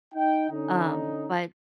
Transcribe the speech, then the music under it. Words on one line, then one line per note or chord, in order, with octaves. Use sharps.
Um, but
D#4 G5
D3 C#4 D#4